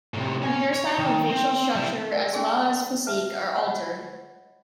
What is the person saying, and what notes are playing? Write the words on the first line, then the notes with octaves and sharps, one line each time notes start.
Her hairstyle and facial structure as well as physique are altered.
A2 C3
C#4 G#5
C#5
D#3
C4
G3 E4
A#4 D5
C#4 G#4 G#5 C6
B4 E5 A5
C#5 D#5 F#5 B5 C#6